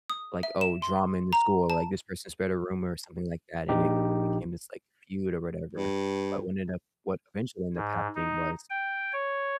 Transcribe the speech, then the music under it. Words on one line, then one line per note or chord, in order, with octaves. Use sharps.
like, "Oh, drama in the school," or, like, "This person spread a rumor," or something like that, and it c it became this, like, feud or whatever. But what ended up what eventually ended up happening was
D#6
E5
E7
C6
A#5
A5
A#1 D#4 G4
G2
G#2
D#4
G5
C#5